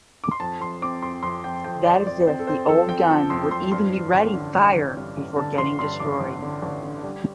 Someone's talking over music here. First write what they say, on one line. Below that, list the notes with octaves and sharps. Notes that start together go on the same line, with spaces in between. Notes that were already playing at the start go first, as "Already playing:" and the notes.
That is if the old gun would even be ready fire before getting destroyed.
D6
C6
F2 A5
F2 C6
C4 D6
F2 C6
F2 C6
F2 G5
F2 G5
F2 D5
C4 D5
C4 C5
A4
C4 C5
F3 A4
C4 G5
F3 A5
F2 C6
F2 C6
G2 C6
G2
A1
D3
A1
A1
G2
A1
D3 A5
A1 C6
G2 C6
A1 D6
A1
D3
A1
D3
G3